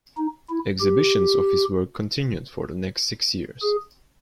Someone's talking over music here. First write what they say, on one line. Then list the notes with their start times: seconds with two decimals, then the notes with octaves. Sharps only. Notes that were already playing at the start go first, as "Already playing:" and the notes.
Exhibitions of his work continued for the next six years.
0.18 D#4
0.50 E4
0.81 G4
3.62 G#4